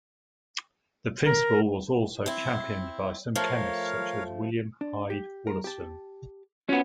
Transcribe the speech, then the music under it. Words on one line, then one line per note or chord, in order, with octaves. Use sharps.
The principle was also championed by some chemists such as William Hyde Wollaston.
A#4
C4 E4
F3 A3 A#4 C#5 F5
D4
G4
A#4
G4 A5
B3 C#4 F4 F#4